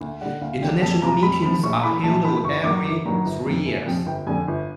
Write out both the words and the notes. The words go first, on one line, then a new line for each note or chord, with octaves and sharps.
International meetings are held every three years.
D2
D3 G3 F#5
D2 F5
D3 G3 G5
F2 A5
C3 F3 A#5
F2 B5
C3 F3 B5
A#1 C#6
A2 E3 B5
A#1 A5
A2 E3 B5
G1 C#6
G2 D#3 F#3 D6
G1 D6
G2 D#3 F#3 A#5
G1
F2 C3 F3
G1 G#5
F2 C3 F3 G5
G1 G5
F2 D3 G#5
G1